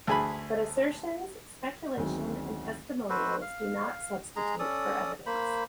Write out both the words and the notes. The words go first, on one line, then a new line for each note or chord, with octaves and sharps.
But assertions, speculation, and testimonials do not substitute for evidence.
D2 G#4 B5
D2 D#3 F#3 G#3 C4 C#4
F#4 A4 B4 C5
F5
G#3 G#4 A#5
C#4 A4 D5 D#6
A#3 C5 B5